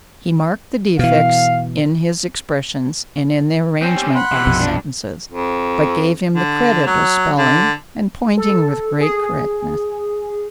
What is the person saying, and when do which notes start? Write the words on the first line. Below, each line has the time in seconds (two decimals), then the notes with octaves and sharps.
He marked the defects in his expressions, and in the arrangement of his sentences, but gave him the credit of spelling and pointing with great correctness.
0.99 B2 E3 F5
3.82 C4 C#4
3.96 G3 G4
4.15 F#5 B5 C6
4.32 C3 E3
4.47 A#1 F2 B2
4.58 G2 D4
5.32 F2
6.35 D3
6.87 F#3
7.37 D3
8.37 A4
9.01 G#4